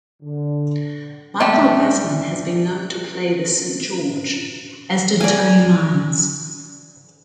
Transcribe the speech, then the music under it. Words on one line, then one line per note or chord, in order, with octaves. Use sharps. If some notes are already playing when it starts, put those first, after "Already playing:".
Michael Basman has been known to play the Saint George, as did Tony Miles.
D3
G3 A3 D4 G4
D5 G#5